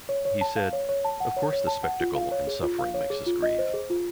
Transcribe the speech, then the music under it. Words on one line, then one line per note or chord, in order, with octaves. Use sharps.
He said: Of course the spectacle and suffering makes us grieve.
C#5
C#5
A5
F5
C#5
C#5
A5
F#5
C#5
C#5
A5
F#5
F4
F5
C#5
G#4
F4
F5
C#5
G#4
F4
D#5
C5
G#4
F4